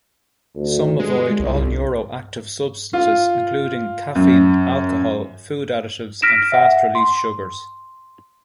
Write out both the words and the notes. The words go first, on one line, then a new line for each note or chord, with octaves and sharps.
Some avoid all neuroactive substances including caffeine, alcohol, food additives and fast-release sugars.
D2
G1 G#3
C2
F4
F#2
F6 A#6 B6 D7 E7
E5 F#5
C6